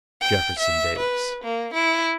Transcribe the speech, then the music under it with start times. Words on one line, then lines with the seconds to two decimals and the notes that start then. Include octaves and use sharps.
"Jefferson Davis".
0.22 G5
0.59 E5
0.99 B4
1.44 A#3
1.74 E4